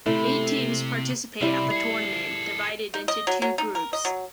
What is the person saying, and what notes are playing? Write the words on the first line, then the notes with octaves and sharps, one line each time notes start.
Eight teams participate at the tournament, divided into two groups.
C3 A3 E4
C3 G3 E4
G#4 A4
D#4
D#5
F#3
F#3
D#4
A#4
D#5
F#3